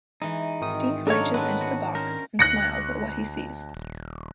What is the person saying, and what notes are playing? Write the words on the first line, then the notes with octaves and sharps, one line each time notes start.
Steve reaches into the box, and smiles at what he sees.
E3 G#3 D#4
G#1 D#3 D#6
F#2 A#3 D4 D#4 A4 C#5 F5
G#3 C4 D4 B4 F#5
F#4
C#4 A#4 C5
D2 F#6 A#6 C#7
D#1